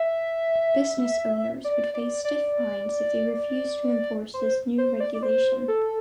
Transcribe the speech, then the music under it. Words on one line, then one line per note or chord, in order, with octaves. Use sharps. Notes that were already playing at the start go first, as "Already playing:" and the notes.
Business owners would face stiff fines if they refuse to enforce this new regulation.
Already playing: E5
D5
D5
D5
C5
C5
D5
D5
C5
A4